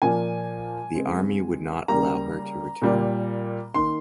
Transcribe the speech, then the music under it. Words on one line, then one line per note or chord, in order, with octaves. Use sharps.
The army would not allow her to return.
A#2 F3 A#3 G#5
C#3 G#3 C4
C#3 G3 A#3 A#5
A#2 G3 A#3
D#3 A#3 C6